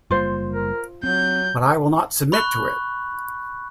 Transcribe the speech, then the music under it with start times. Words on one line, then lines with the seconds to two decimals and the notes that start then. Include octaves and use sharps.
But I will not submit to it!
0.11 F#1 G3 A#3 F4 C5
0.52 A#4
1.04 F#3 C4 G6
2.32 B5 C#6 F#6